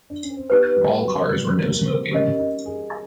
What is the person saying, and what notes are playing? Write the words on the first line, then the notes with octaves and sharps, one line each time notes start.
All cars were no-smoking.
D4
C#4
C4
B3 D#4 G4 B4
G3
F#3
G3
A#3
C4
C#4 G4 A#4 D#5
D#4
G#4